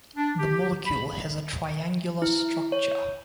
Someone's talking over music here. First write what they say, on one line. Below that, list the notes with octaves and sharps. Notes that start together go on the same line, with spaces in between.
The molecule has a triangular structure.
D4
G4
B5
E4
C#5